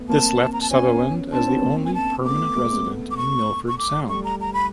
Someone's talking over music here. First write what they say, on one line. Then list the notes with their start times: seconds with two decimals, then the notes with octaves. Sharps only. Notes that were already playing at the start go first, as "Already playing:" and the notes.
This left Sutherland as the only permanent resident in Milford Sound.
Already playing: A3 B3
0.09 A#3 C4 A5
0.53 A#5
0.61 A5
0.71 B3 C#4 G#5
1.32 C4 D4 A5
1.47 B3 C#4
1.63 A#3 C4
1.85 G#5
1.94 A5
2.24 A3 B3 D6
2.55 G#3 A#3
2.71 A#3 C4
2.86 A3 B3
3.11 D6
3.17 C#6
3.68 C#6
3.78 D6
4.09 G3 A3 C#6
4.24 A#5
4.41 A#5
4.53 B5